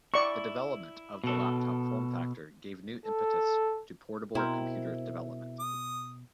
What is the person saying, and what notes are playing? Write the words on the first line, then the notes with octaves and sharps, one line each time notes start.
The development of the laptop form factor gave new impetus to portable computer development.
E4 D5 C#6
B2 A4
A4
B2 C4 E4 A#4 C5
D#6